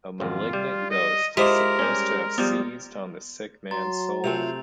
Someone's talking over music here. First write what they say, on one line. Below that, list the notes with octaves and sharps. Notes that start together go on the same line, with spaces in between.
A malignant ghost is supposed to have seized on the sick man's soul.
G#1 F2 F4
G3
D#5
G#3 E4 F4 G4 A#4 C5 D6
G3 C#4
F3 G3 B3
F#3 A#5 C6 A6
C3 A3 C4 F4 F7